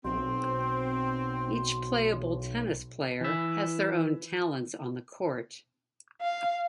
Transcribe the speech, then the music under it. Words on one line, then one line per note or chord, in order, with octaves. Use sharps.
Each playable tennis player has their own talents on the court.
B1 C4 C6
E3 E5
F5